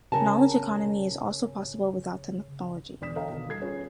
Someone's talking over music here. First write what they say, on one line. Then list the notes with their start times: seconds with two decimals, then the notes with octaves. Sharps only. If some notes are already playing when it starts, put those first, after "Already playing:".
Knowledge economy is also possible without technology.
0.12 C#3 A#4 G#5 A5
3.01 E1 D3 D5 D#6 B6 E7
3.16 A4 C#5 D#5 F5 G5 A#5
3.29 B2 D#3
3.49 G3 A4 G#6 C7
3.61 C#4 F4 G#4 B4 C#5